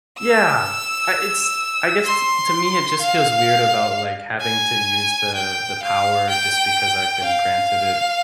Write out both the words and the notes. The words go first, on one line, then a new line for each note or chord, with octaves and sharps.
Yeah. I it's I guess, t to me, it just feels weird about, like, having to use the the power just because I've been granted it.
E6
C6
F5
G#5
G5
F5
G5
F5